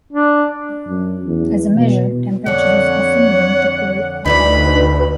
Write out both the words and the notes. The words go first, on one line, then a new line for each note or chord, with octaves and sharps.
As a measure, temperature is often linked to cold or hot.
D4
F#2
E2
B2
F2 D3 C#5 F#5
D2 D#4 E4 B4 D5 B5